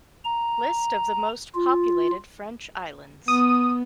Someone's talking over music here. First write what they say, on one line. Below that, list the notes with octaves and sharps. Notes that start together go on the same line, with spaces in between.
List of the most populated French islands.
A#5
F4
B3 D#6